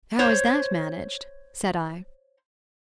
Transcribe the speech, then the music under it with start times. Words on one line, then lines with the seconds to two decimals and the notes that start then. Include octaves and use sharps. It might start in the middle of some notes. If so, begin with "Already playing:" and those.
"How is that managed?" said I.
0.19 C5 C#5